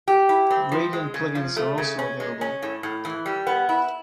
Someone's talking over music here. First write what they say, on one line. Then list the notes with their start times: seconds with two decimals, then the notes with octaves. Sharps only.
Gradient plug-ins are also available.
0.08 G4
0.29 E4
0.50 C4
0.72 F3
0.93 G#3
1.14 C#3
1.35 F3
1.57 A3
1.78 C#3
1.99 C#4
2.20 G#3
2.41 C#4
2.62 A2
2.83 A2
3.05 E3
3.26 G3
3.47 B3
3.69 E4